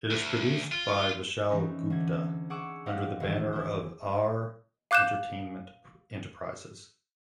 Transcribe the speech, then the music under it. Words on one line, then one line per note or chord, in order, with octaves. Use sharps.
It is produced by Vishal Gupta under the banner of "Aar Entertainment Enterprises".
D2
F4
E3 C4 C#4 D#4
D2 G#6
G#4 F#5 C#6 D6 E6
D#4 G4 C5 D5 F5 F#5
E1 D#3 G#4 E5 C7
E4 C5
F5 D6 F#6 G6 E7